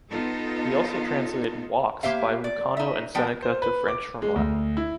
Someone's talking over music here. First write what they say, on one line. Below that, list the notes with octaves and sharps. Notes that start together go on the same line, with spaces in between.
He also translated woks by Lucano and Seneca to French from Latin.
B3 D#4 F4 A4
A#3 G4 C5 E5 F5
D5
D#4 E5
F3 G3 B3 G5
C5
B4
D6
G#3
D2
E4